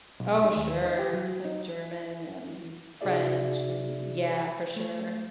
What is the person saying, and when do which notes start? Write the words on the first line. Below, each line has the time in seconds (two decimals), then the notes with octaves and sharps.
Oh sure, like, German, um, French an Yeah, for sure.
0.20 B1
0.44 D#4
0.56 D#2
0.84 D#4
0.99 G4
1.13 F#3
1.45 D#4
3.01 C3 D#4 F#4 G#4 D5 E5
4.76 A3